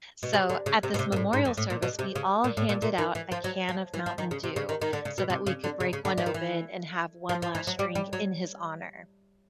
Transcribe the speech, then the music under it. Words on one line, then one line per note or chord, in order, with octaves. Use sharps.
So at this memorial service, we all handed out a can of Mountain Dew, so that we could break one open and have one last drink in his honor.
B2
C3
D3
C#3
C3
B2
C3
A#2
A2
G#2
F2
A2
A#2
B2
C3
C#3
A#2
A2
A#2
A#2
D#3
E3
F3
F#3
F3
E3
F3
D#3
C#3
C3
C#3
D#3
D#3
D3
C#3
B2
C3
C#3
D3
C#3
C#3
D3
E3
D#3
E3
F3
F3
E3
F#3
G3
G3
F#3